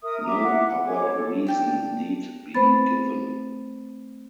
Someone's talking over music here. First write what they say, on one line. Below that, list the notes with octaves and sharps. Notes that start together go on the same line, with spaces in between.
No other reason need be given.
A#4 E5 D#6
E5 A#5 D6
F#5
G#4 C#5 D6
A4
D5 G5 A5
A3 C4 B4 C5 B5 A6